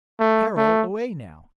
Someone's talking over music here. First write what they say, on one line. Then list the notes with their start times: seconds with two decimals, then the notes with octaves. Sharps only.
"Carol away, now!"
0.20 A3
0.57 A3